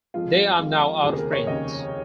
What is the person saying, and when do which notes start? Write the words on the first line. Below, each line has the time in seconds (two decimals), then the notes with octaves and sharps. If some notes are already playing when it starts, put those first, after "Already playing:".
They are now out of print.
0.14 F2 F3 G#3 F4
0.59 F2 F3 G#3
1.03 F1 D#2 C#3 G#4
1.18 A#4
1.32 C#5
1.47 F1 D#2 C#3 D#5